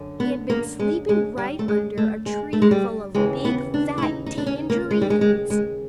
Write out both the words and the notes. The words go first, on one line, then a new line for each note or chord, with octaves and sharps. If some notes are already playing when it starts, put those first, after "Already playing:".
He had been sleeping right under a tree full of big, fat tangerines.
Already playing: F#2 D3
B3
A#3
G#3
G#3
G3
A3
G#3
A3
G#3
A3
G#3
G3
D#2 C#3 E3 G#3
B3
D4
E4
D#4
D#4
D4
C#4
A#3
G#3
G3
G#3
G#3
G#3